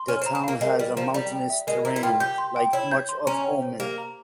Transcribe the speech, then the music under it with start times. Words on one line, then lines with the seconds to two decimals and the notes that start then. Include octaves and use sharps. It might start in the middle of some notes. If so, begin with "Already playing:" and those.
The town has a mountainous terrain, like much of Oman.
Already playing: C6
0.08 C#4 F6
0.22 C4
0.26 A#5
0.35 C4
0.44 A#3 F5
0.61 G#3 A#4
0.78 G3 F6
0.97 F3 A#5
1.14 G3 A#5
1.32 G5
1.50 E5
1.67 G#3 A#4
1.85 E4 A#5
1.96 E4
2.03 F4 G5
2.20 G4 G6
2.38 C6
2.56 G5
2.73 E4 C#5
2.91 G6
3.09 C6
3.27 C#4 A#5
3.44 G5
3.62 C5
3.80 A#3 G4
3.98 A#5